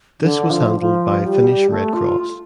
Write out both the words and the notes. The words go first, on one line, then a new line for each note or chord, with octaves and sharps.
This was handled by Finnish Red Cross.
D3
F3
F3
G3
A3
F4